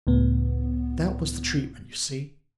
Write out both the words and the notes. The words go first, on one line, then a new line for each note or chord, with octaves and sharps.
'That was the treatment, you see.
C#2 A2 B3